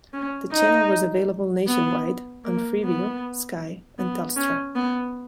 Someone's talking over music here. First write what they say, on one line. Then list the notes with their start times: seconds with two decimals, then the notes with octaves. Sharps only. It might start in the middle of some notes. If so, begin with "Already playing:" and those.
The channel was available nationwide, on Freeview, Sky and Telstra.
0.13 C#4
0.51 D#4
1.67 B3
2.44 A#3
2.83 B3
3.98 B3
4.36 C#4
4.75 B3